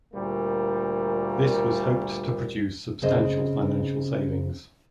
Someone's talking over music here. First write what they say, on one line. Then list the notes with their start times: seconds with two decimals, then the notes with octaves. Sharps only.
This was hoped to produce substantial financial savings.
0.13 D2 A#2 G3 A#3
3.02 F#2 C#3 C4 G#4 C5 D#5